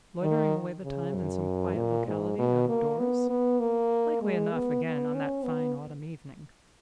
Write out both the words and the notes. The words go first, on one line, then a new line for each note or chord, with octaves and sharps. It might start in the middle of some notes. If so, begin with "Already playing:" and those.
Loitering away the time in some quiet locality, out-of-doors? Likely enough, again, on that fine autumn evening.
D#3
C#3
F#2
A#2
G#2
B2
A#3
B3
B3
A#3
G#3
B3
B3
C#4
B3